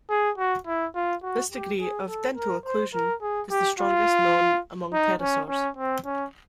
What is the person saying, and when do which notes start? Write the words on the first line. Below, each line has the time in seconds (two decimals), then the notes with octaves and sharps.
This degree of "dental occlusion" is the strongest known among pterosaurs.
0.10 G#4
0.38 F#4
0.67 E4
0.95 F4
1.23 F#4
1.52 G4
1.80 G#4
2.08 A4
2.37 A#4
2.65 C5
2.94 A#4
3.22 G#4
3.51 G4
3.79 F4
4.93 D#4
5.21 C#4
5.49 C#4
5.77 C4
6.06 C#4